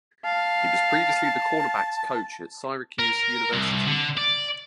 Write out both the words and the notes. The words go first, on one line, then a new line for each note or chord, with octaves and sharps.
He was previously the cornerbacks coach at Syracuse University.
F5 A5
A#4
C2
D3
D5